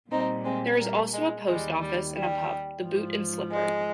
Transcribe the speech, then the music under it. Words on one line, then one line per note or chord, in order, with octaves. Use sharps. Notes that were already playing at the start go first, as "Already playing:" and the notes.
There is also a post office and a pub, "The Boot and Slipper".
A#2 G3 C4 D#4
G#3 C4
G3 A#3
G#3
D#2 D#3 G3 G#3
G3
G3
G#2 F3
G#3